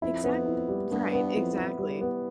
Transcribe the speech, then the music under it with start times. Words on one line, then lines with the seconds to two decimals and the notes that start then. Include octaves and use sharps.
Exact right, exactly.
0.02 F2 E4
0.24 B3
0.46 E4
0.69 G3
0.91 G2 B3
1.13 B3
1.34 F2 E4
1.57 E4
1.79 G3
2.01 B3